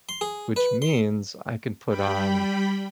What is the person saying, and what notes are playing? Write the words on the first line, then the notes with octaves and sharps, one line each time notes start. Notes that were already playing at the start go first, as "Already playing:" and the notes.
which means I can put on,
C6
G#4
B4
C6
G3 G5 B5